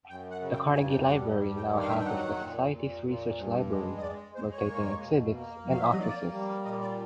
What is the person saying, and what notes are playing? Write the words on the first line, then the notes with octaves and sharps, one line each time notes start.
The Carnegie Library now houses the Society's research library, rotating exhibits, and offices.
F#2 G5
F#5
C#3
G5
G2 G#5
G5
G3 F#5
G2
G5
D#3
F5
E5
G5
F#3 F#5
A#2
A#2
A#2
G2
G#3
D#5
G#3 D5
G#3 C5
C#5
A#3
B2
A#3
F#3 F5
E5
D#5
A#3 D5
G3
A#2 D#5
D5